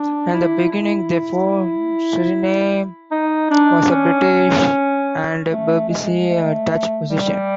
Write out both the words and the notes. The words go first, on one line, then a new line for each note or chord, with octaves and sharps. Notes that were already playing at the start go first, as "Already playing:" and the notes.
In the beginning, therefore, Suriname was a British and Berbice a Dutch possession.
Already playing: D4
E4
E4
D#4
D4
C#4
A3
G#3
A3
G3